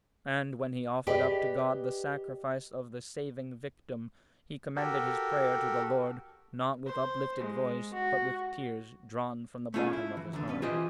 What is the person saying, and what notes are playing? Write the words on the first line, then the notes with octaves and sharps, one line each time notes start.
And when he offered up to God the Sacrifice of the saving Victim, he commended his prayer to the Lord, not with uplifted voice, but with tears drawn from the bottom of his heart.
G4 G#4 B4 D5 D#5 G5
F#4 G4 A4 A#4
C5
G#3
F#4
A3 C#4 F4 G#4 F5
E4
E3
D#2 D3
B2 C#4 B4
E3 F4 G4 G#4 C5 D#5